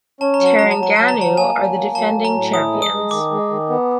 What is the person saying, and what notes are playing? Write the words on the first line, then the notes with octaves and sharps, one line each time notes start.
Terengganu are the defending champions.
C#4 A5
A#5
F#3
A5
F#3 A#5
A5
F#3 A#5
F#3 A5
A#5
F#3 A5
A#3 G#5
F#3
A#3
F#3 A5
F#3
A#5
A2
E4 D#6
G#3
D#6
G#3
D#3 D6
G#3
D#3
B3